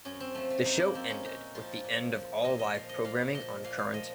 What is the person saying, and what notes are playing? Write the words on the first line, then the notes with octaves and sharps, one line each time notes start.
The show ended with the end of all live programming on Current.
F#2 C#4
C4
F3 A3
A3
F#2 D#4
A#3
F3 C4
C#4
A#2 D#4
F3 F4
A#2
F3
A#2 D#5
D#5
F3 F5
D#5
A#2 F5
F3 D#5
A#2 F5
F5
F3 D#5